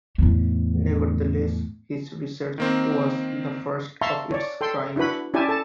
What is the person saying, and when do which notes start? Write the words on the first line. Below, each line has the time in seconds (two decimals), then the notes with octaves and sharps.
Nevertheless, his research was the first of its kind.
0.18 E2 A2
2.58 D#3 A#3 C4
4.01 E5 F5 A5 A#5 C6 C#6
4.32 C#5 D5
4.61 A4 G5 C6
4.96 D4 E4 F#4 B4 B5
5.34 C#4 E4 G4 D5 G#5 A5
5.49 A4 A5